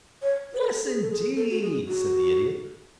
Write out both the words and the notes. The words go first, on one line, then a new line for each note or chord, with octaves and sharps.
"Yes, indeed," said the Idiot.
C#5
B4
A4
G#4
A4
G#4
A4
F#4
G#4
F#4